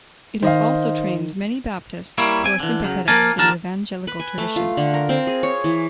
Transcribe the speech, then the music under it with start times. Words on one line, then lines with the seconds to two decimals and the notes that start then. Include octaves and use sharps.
It has also trained many Baptists who are sympathetic to the evangelical tradition.
0.43 D#3 C5 D#5 F5
2.18 G3 A#3 E4 C#5
2.44 C4 G#5
2.60 D3 E3
2.84 C#3 F#3
3.08 F3 A#3 A#4 G#5 A5
3.38 D#2 D3 A#4 A5
4.07 B4
4.19 G#5
4.38 A3
4.56 F4
4.77 D3
4.94 A#4
5.09 C4
5.27 G#4
5.43 C#5
5.64 E3